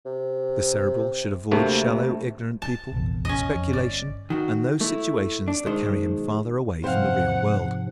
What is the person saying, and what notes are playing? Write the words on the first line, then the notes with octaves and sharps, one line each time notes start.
The Cerebral should avoid shallow, ignorant people, speculation and those situations that carry him farther away from the real world.
C3
D2 C3 A3 A#3
A5
F1 A#1 E2
C#4 D#5
F2
G1 D5
D#3 F#4
A3 E4
D4
B1 D#3 G#3 C5
G#2 C3 F3 C4 C5 F5 F#5